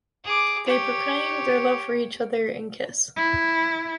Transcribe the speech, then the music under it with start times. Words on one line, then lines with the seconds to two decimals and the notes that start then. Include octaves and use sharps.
They proclaim their love for each other and kiss.
0.24 G#4 D6
0.66 G4 C#5
3.16 E4